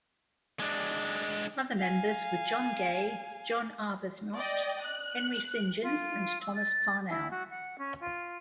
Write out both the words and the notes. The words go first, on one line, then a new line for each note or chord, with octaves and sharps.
Other members were John Gay, John Arbuthnot, Henry Saint John and Thomas Parnell.
G#3 D4
F5 G#5
D5 D#5 G5
F#6
F4
E6
A6
E4
F#4
F#5
C#4
F4